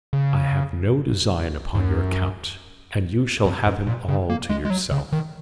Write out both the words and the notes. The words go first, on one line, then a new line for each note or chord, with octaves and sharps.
I have no design upon your count, and you shall have him all to yourself.
C#3
G#2
F#2
F2
F#2
A#2
C#3
A#3
G#3
G#3
F#3
C#3
D#3